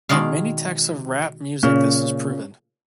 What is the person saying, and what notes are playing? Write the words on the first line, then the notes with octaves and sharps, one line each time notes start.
In many texts of rap music this is proven.
B2 D#3 G#3 D5 F5
A#2 C#3 C#4